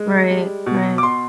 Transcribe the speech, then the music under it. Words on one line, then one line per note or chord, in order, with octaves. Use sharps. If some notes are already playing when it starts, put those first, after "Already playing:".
Right. Right.
Already playing: G#3
G3
B2
D6
B2 C6